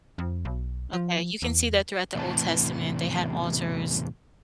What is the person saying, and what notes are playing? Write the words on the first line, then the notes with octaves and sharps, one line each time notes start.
okay, you can see that throughout the Old Testament, they had altars,
F2
B1
F3
E2
E2 A2 C3 E3 A5